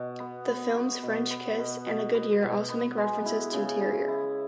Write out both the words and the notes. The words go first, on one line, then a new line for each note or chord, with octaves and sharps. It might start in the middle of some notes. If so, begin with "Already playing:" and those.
The films "French Kiss" and "A Good Year" also make references to "terroir".
Already playing: B2 F#4
B3
B3
F#4
B2
B3
B2
B2
B3
B2
B3
G#3
E4
C#3
E4
E4